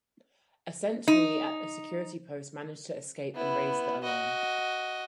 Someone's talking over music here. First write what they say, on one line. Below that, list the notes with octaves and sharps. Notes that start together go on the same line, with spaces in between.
A sentry at a security post managed to escape and raise the alarm.
D#4
B3 E4
F#4 D#5